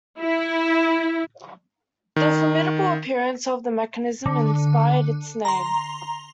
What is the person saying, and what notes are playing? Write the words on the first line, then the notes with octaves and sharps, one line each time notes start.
The formidable appearance of the mechanism inspired its name.
E4
D#3
D3
A#5 C6